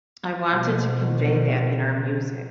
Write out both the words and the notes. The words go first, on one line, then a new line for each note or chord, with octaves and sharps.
I wanted to convey that in our music.
B2 F3